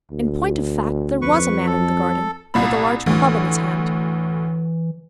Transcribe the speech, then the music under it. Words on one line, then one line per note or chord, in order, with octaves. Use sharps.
In point of fact, there was a man in the garden, with a large club in his hand.
D2
F2 B4 C#6
A4
C2 A#2 B5
D2 A2 E3